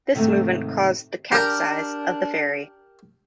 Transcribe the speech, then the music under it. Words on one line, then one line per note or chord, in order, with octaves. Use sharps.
This movement caused the capsize of the ferry.
G#2 C3 D#3 G#3 A3
D4 G4 A#4